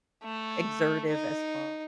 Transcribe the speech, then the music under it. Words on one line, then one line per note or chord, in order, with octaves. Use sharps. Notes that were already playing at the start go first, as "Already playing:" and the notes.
exertive, as far
A3
D#4